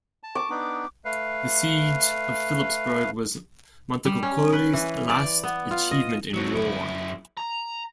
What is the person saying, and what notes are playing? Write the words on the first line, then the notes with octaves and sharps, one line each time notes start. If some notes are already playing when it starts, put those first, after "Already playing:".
The siege of Philippsburg was Montecuccoli's last achievement in war.
A5
D6
B3 D4 D#4
A3 B4 F5
G3
C#4
B4
E3
D5
B3
F4
D#5
F#3 C4
F#2 E4
A#5